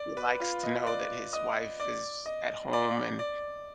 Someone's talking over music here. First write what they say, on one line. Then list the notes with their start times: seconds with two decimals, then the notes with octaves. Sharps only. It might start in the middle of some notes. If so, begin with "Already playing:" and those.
He likes to know that his wife is at home and,
Already playing: D5 D6
0.17 B4 B5
0.40 F4 F5
0.63 D#5
0.87 D5 D6
1.33 D#5 D#6
1.80 D5 D6
2.26 D#5
2.73 D5
3.19 D5